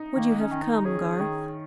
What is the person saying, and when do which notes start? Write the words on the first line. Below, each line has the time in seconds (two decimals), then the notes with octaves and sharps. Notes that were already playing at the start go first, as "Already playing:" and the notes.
Would you have come, Garth?
Already playing: D#4
0.16 D#3 A#3
0.39 C#4
0.51 D#3
0.63 D#4
0.85 C#4 G#4
1.20 D#3